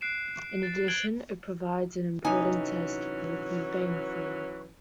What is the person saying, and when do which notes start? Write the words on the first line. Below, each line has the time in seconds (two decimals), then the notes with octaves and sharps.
In addition, it provides an important test for the Big Bang theory.
0.01 F#6 C7 D7 E7
0.63 A6
0.88 F#6 G#6 D7 F#7 G7
2.25 C3 E3 F#3 C#4 D#4 G#5